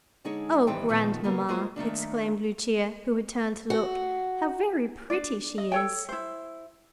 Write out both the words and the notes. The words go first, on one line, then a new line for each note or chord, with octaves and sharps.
"O grandmamma!" exclaimed Lucia, who had turned to look, "how very pretty she is!"
D3 G#3 D#4 G#4 C#5
G#2 D#3 E3 G3 C5 G5
A#2 D#3 F3 B3
C#3 G3 A#3 B3
G#3 A#3 F4 G#4 C5
D#3 A3 A#3 D4
F#4
D4 D5
D#5
A4 C#5 G5
E4 C5